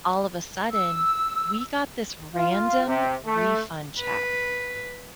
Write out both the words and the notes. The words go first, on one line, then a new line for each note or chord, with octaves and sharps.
all of a sudden, we got this random refund check
E6
F4
C3
A3
B4